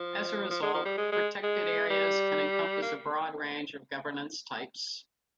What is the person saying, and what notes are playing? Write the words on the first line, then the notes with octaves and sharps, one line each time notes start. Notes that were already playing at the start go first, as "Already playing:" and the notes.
As a result, Protected Areas can encompass a broad range of governance types.
Already playing: F3
F3
G#3
F3
G3
G#3
G#3
G#3
G3
A#3